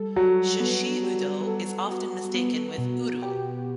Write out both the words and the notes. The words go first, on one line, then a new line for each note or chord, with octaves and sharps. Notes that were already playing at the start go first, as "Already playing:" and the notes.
Shishiudo is often mistaken with udo.
Already playing: G3 A4
F#3 F#4
B3
G3
A4
F#4
B3
B2
G4